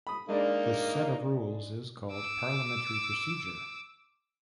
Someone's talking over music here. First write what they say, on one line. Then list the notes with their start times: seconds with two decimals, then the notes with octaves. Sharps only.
This set of rules is called parliamentary procedure.
0.07 B5 D#6
0.29 G#3 A#3 D4 D#4 D5
2.12 D6 E6